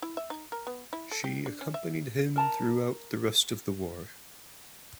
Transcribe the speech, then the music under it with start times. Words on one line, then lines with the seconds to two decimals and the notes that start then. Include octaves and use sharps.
She accompanied him throughout the rest of the war.
0.02 E4
0.17 E5
0.30 D#4
0.52 A#4
0.67 B3
0.93 E4
1.11 A4
1.24 G4
1.46 D4
1.61 C#4
1.74 E5
2.36 A#4 A5 A#5